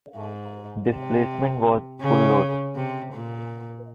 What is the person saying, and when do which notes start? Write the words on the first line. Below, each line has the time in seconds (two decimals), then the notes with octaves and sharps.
Displacement was full load.
0.15 G#2
0.89 C3
2.01 C#3
2.76 C3
3.13 A#2